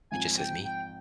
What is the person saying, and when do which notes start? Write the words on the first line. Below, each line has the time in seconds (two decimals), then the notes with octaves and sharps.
It just says, "meat."
0.11 G#2 F3 C4 G#5
0.37 G5
0.64 G5